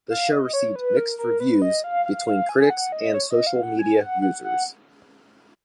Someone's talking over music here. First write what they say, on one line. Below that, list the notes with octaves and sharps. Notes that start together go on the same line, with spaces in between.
The show received mixed reviews between critics and social media users.
F5
D#5
C#5
B4
A#4
A#4
B4
D#5
F5
F5
F5
G#5
F#5
D#5
C#5
D#5
F5
F#5
G#5
F#5
F#5
F#5